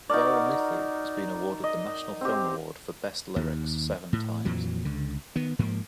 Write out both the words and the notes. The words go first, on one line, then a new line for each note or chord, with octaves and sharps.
Vairamuthu has been awarded the National Film Award for Best Lyrics seven times.
D#4 F#4 A#4 D5
D#5
C4 G4
D#2
A2
F2 A#2 E3 F#3
C#2 D3
D#3 B3
G#2 F3 A#3